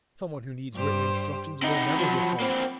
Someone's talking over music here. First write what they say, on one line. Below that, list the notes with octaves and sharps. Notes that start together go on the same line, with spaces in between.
Someone who needs written instructions will never get far.
G2 G4 C5
C3 D#4 F#5 B5
F3 F#3
A#3 C4